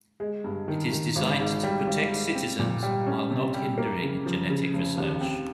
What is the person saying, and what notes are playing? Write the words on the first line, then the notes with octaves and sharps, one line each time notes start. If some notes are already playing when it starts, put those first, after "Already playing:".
It is designed to protect citizens while not hindering genetic research.
G#3
G2
D#3
D#3
G#1
G#2
G3
G#1
G#2
C4
A#2
G3
C#4
C3
G3
A#3
C#3
F3
C#3
F1
D#2
C4